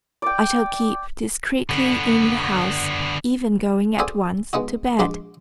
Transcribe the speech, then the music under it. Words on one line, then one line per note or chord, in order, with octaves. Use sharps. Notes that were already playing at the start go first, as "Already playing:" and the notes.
I shall keep discreetly in the house, even going at once to bed.
D5 G5
D3 B3
F#4 G#4 A4 C5 D5 G#5
G#3 B3 D#4 F#4
A#1 G#3 F#4 C6 D6